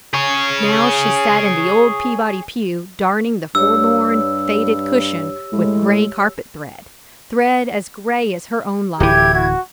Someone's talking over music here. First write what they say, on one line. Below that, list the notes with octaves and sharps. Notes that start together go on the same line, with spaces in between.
Now she sat in the old Peabody pew darning the forlorn, faded cushion with grey carpet-thread: thread as grey as her own life.
G#4 C#5
G2 G4 C#5 E6
A2 G#3
D1 E3 E4 G4 G#6
F#4